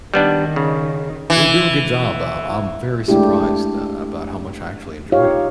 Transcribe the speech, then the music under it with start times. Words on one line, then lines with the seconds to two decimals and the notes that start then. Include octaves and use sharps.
They do a good job, um, I'm very surprised a about how much I actually enjoyed it.
0.14 D#3 G3 B3 D4
0.56 C#3
1.30 E3
3.08 G#3 A3 D4 E4 G4
5.12 D#4 F4 G4 C#5 F5